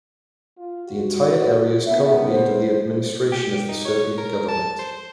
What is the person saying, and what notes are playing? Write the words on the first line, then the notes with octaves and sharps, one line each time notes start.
The entire area is currently under the administration of the Serbian government.
F4
F#4
D3 D#3 B3 E5
C5
G4
D#4
C#5
A#4
A5
C5